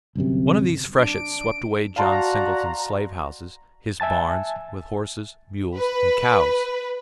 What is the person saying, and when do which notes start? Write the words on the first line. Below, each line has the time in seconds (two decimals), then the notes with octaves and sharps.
One of these freshets swept away John Singleton's slave houses, his barns, with horses, mules and cows.
0.15 G1 C2 F#2 C3
0.98 D4 D7
1.96 F#4 D5 F5 A5 A#5 C6
4.00 E5 G#5 A5 A6
5.78 B4